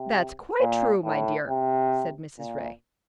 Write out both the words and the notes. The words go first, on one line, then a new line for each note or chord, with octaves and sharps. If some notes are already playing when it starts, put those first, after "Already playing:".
"That's quite true, my dear," said Mrs. Ray.
Already playing: C3
A#2
A2
C3
A#2